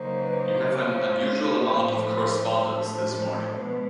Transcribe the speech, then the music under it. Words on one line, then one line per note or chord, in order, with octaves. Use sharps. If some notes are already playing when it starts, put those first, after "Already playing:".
You have an unusual amount of correspondence this morning.
Already playing: C#3 F#3 A#3 D#4 C5
B4
C5
A#3 C#4 F4 C5
A2 F3 A3
A2 F3 A3 D4
B2 G#3 B4